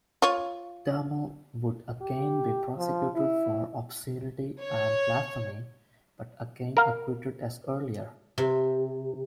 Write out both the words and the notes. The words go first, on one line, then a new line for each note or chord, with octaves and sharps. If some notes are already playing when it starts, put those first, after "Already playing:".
Dehmel would again be prosecuted for obscenity and blasphemy, but again acquitted as earlier.
F4 C#5
G4
F3
E4
C#5
A#4 F5
C3